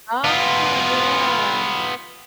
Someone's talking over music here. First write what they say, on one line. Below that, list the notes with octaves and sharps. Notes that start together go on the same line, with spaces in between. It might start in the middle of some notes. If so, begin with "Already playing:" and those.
Oh, yeah.
B3 F4